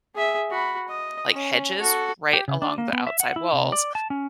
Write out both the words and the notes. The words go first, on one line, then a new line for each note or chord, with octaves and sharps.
like, hedges right along the outside walls,
G#4 E5
F#4 B5
D#5
C#4
F#4 A4
G4
C#3
D4
A#3
B3
E5
F#5
E4
C3
D5
A5
C#4